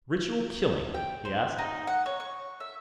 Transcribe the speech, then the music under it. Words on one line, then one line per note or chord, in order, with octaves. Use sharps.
"Ritual killing?" he asked.
G5
C5
D#4
F#5
C#5
C#6
E5